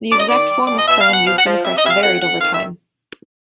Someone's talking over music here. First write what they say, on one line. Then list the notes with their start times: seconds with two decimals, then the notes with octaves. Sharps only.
The exact form of crown used in the crest varied over time.
0.11 F#2 D5
0.19 D#5
0.28 D#3 D5
0.50 G3
0.67 B2 D5
0.78 D#5
0.88 B2 E5
1.01 F5
1.07 B2
1.14 F#5
1.26 F3 F5
1.39 F#5
1.46 F3
1.64 C3 E5
1.77 D#5
1.84 C3 E5
1.90 F5
2.03 F2 F#5
2.22 F2 F#5
2.41 D#3 F5
2.54 E5